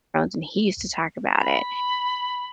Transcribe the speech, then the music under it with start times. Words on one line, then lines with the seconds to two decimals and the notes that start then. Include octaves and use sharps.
Thrones," and he used to talk about it.
1.40 B5